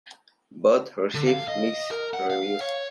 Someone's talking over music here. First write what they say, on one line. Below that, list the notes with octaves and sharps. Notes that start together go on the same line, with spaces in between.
Both received mixed reviews.
D3
F5
D#5
A#4
F#5
F5
C#5